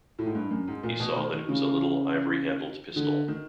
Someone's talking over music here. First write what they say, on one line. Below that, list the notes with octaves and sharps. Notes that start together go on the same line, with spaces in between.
He saw that it was a little ivory-handled pistol.
A2
G#2
G2
F#2
G#2
A#2
B2
D#3
D#3
C#3
D3
D#3